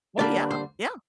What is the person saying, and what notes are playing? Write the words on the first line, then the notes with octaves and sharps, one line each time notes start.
Oh, yeah, yeah.
D3 G3 A#3 D4 D5
C5